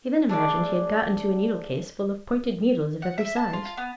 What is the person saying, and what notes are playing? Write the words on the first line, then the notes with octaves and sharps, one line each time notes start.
He then imagined he had got into a needle-case full of pointed needles of every size.
A3 D4 G#4 D5
F#5
E5
A5
F4
F4
B3